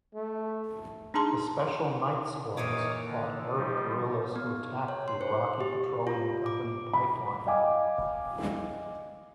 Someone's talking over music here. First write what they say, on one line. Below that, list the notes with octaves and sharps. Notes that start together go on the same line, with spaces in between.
The Special Night Squads fought Arab guerrillas who attacked the Iraqi Petroleum Company pipeline.
A3
D4 D#4 G#4 A5 A#5 C6
A#2 D#3 E3 C#5 D6 D#6
D3
F3 G3 D#4
B3
C#5
C6
C5
G4
F4
D6
B5
D#5 F5 G5 G#5 D6